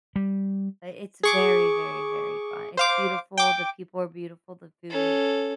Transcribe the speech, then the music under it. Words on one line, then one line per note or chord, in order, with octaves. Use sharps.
But it's very, very, very fun it's beautiful, the people are beautiful, the food,
G3
G#4 C#6 D6
C5 F5 D6
G5 D6
C#4 A4